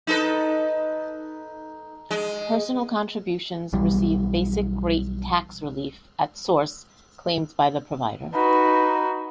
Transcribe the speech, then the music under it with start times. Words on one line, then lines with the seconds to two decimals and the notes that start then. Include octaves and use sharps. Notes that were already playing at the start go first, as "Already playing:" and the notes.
Personal contributions receive basic rate tax relief at source claimed by the provider.
0.07 D#4 A4 B4
2.11 G#3
3.73 B1 E3 G3
8.33 D#4 F#4 B4